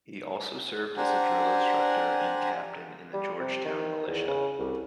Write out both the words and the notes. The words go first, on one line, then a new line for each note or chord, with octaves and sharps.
He also served as a drill instructor and captain in the Georgetown militia.
D4 G4 C5 F#5 G#5 A#5
G3
C3
D#3
E2
C#3
C2